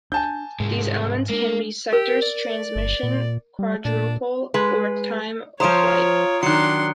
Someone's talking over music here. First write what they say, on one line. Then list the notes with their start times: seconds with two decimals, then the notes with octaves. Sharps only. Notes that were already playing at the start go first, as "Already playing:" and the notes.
These elements can be sectors, transmission quadrupole, or time-of-flight.
0.12 D4 G#5 A5 G6
0.60 C2 G#2 G#3
1.29 G#3 A#3 D4
1.93 G4 A#4
2.22 D5
2.76 G1
3.03 A#2
3.59 G3
3.85 A#2 D4
4.54 G#3 B4
5.60 F3 F4 C5 C#5 A#5 D#6 D7
6.43 D#3 F#3 D4 C6 F#6 C#7